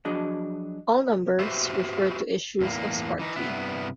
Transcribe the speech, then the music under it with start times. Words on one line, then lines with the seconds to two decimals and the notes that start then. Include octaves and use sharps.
All numbers refer to issues of Sparky.
0.05 F3 F#3 D4 F#4 G#4 D#5
1.39 F#4 G4 B4 C5 E5
2.60 E2 A2 A#3
3.19 E3 D#4
3.36 G2 C3 B3 E4